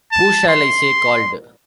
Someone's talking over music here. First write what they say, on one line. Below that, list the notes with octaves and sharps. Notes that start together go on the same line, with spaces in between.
Who shall I say called?
A5
C6